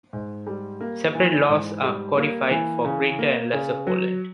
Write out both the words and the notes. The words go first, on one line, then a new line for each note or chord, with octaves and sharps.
Separate laws are codified for greater and lesser Poland.
G#2
G3
A#3
E3
G#2
G3
A#3
E3
C#3
A#3
C#3
F#3